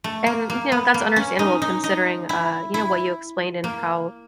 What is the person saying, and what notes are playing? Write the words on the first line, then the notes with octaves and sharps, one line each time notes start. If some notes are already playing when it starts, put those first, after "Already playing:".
And, you know, that's understandable considering, uh, you know, what you explained and how
A3
A#3
A#3
B3
A#3
C#4
D#4
D#4
D#4
E4
E4
A#3